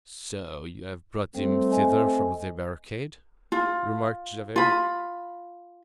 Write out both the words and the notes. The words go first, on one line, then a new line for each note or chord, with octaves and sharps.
"So you have brought him thither from the barricade?" remarked Javert.
G3 A3 C4
D#5 G#5
F4
F4 B5